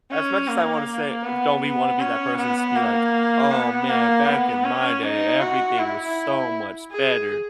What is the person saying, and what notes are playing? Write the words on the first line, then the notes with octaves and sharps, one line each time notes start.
as much as I wanna say don't be-wanna be that person's to be like, "Oh man, back in my day everything was so much better.
C#4
A#3
B3
B3
C#4
B3
A#3
B3
A#3
B3
C#4
D#4
F#4
E4
G#4